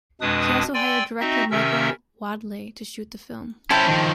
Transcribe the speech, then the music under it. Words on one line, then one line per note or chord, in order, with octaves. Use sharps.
He also hired director Michael Wadleigh to shoot the film.
F2 B2 G#3 D4 B4 D#6
D5 G5 G#5 C6 E6
C4 D#4 F#4 D#5 E5
C3 D#3 C#4 A#4 E5 E6
C#4 E4 C5 G5 A5
D#3 F3